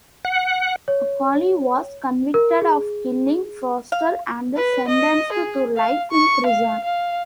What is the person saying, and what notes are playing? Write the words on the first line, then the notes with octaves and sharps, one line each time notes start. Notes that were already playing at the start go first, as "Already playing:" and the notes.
Acoli was convicted of killing Foerster and sentenced to life in prison.
F#5
C#5
A#4
G#4
F5
B4
D#5
G#4
F5
C#6
F5
F5